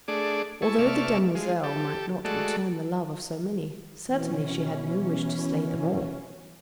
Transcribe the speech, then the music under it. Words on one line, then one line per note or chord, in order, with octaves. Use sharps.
Although the demoiselle might not return the love of so many, certainly she had no wish to slay them all.
A3 D4 G#4 D5
E4 G#5 A5 C#6
C3 D5 E5 A5 C#6 F6
F3 G#3
G4 A4
G#3 A3 F#4 A4 D5
B2 E3 C#4